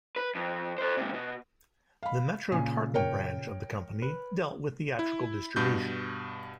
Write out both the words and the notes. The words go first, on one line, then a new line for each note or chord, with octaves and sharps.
The Metro Tartan branch of the company dealt with theatrical distribution.
B4
F2
A4 C5
G#2 C3
B2
F5 B5
A#2 C#3 G#5
A#4 C#5 G5
B4
E4
G2 B2 G6